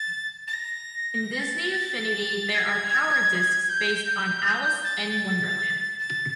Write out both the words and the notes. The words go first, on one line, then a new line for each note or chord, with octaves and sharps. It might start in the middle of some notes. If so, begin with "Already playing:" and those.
In "Disney Infinity" there are power discs based on Alice in Wonderland.
Already playing: A6
A6
A#6
A6
G#6
G6
A6
A6